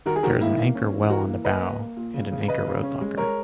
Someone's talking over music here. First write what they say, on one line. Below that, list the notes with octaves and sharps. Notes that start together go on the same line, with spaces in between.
There is an anchor well on the bow and an anchor rode locker.
D#3 F#4 A#4
G#4
D#3 F#4 A#4
A#3 E4
A#3
C#4
E3
E3 F#4 A#4
A#3
A#3 B4 D#5
A#3
A#3
A#2
C#3
C#3
C#3 B4 D#5
C#3
C#4
G#3
G#3 A#4 C#5